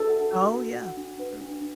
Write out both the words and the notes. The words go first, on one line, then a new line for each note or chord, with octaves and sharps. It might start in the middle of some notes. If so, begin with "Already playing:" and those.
Oh yeah, true.
Already playing: D4 F#4 A4 B4
F#5
F#4
F#4
F#5
D4
B4
D4